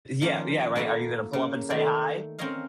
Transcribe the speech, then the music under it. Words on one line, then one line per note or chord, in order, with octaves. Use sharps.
Yeah, yeah, right. Are you gonna pull up and say hi?
D#3 F3 A#3 C#4
A#3 E4 F#4 A4 E5
C#3 A#3
D#3 A3 A4 C5 D5
C4 C#4 A#4 C#5 D#5 F5